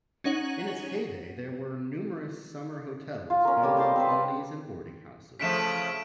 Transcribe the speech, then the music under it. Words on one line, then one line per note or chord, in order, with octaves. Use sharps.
In its heyday there were numerous summer hotels, bungalow colonies, and boarding houses.
C#4 D#4 C#5 F#5 D#7 F#7
F4
C#4 A#4
G3 A3 A#3 C#4
D#5 G5 A5 C6
C4 B4 C5
B4 F5
C#3 F3 A3 B6 D7 E7